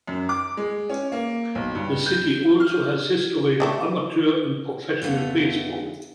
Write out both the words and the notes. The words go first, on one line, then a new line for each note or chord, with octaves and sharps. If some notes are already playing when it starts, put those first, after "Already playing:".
The city also has history in amateur and professional baseball.
F#2
D6
G#3
C#4
A#3
B1
G2
G6
F6
D3 E3 A3
F2 D3 A3 B3 F5